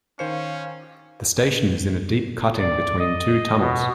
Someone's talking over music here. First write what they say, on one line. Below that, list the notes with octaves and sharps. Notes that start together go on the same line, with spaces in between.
The station is in a deep cutting between two tunnels.
D#3 C#4 C5 F5 C#7
D5
D#5
B2